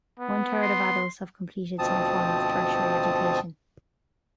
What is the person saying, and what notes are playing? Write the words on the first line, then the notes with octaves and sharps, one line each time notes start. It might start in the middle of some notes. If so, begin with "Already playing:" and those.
One third of adults have completed some form of tertiary education.
B3
C6
D2 B2 F3 C4 A5 D#6